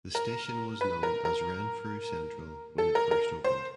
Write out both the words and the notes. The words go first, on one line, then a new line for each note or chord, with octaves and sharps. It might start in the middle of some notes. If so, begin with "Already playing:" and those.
The station was known as Renfrew Central when it first opened.
A#4
B4
A#4
A#4
A4
A#4
A#4
C5